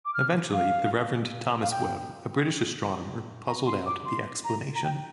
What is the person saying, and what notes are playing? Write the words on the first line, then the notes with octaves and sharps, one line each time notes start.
Eventually the Reverend Thomas Webb, a British astronomer, puzzled out the explanation.
D6
F6
F5
F5
G5
A#5
C6
D6
C6
A#5
A#5
G5